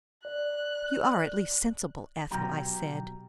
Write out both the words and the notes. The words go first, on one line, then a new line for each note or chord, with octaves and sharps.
"You are at least sensible, Ethel," I said.
D5 F#6
B2 F#3 G4 A#5